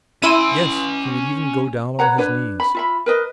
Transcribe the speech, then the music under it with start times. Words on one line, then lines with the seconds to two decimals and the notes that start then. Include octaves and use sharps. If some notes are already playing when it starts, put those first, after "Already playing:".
"Yes, he would even go down on his knees."
0.22 C#4 E4 C6 E6 D#7
1.99 B4 C#5 F#5 A#5
2.18 D4 B4 C#5
2.60 B5
2.75 F4 E5 B5
3.06 A#4 B4 D#5